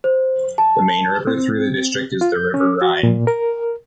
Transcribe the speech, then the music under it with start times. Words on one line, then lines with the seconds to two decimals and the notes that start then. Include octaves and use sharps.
The main river through the district is the River Rhine.
0.04 C5
0.58 A5
1.27 C4
2.21 F4
2.36 G6
2.54 C#4
2.82 F#4
3.03 A#2
3.27 A#4